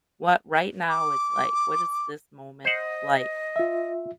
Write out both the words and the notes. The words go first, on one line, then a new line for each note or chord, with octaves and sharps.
what right now is like, what is this moment like
D6
C5 D#5 F#5
F4 E5